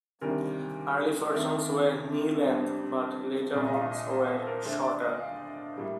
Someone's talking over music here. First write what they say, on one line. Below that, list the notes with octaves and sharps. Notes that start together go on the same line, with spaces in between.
Early versions were knee-length but later ones were shorter.
D2 C3 D#3 G3 D4 A#4
F2 D#3 A3 A#4
F2 C3 G3 D4 C5
C2 A#2 A3 D5
D#5
F5
D#5
C5
C5
A4
A#4
D2 D3 A3 D4 C5
D5
D#5
F5
A2 G3 A#3